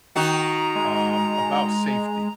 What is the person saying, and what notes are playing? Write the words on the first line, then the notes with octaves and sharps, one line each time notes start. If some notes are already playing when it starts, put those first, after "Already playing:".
um, about safety
D#3 D#4 F#4 A#5
G#3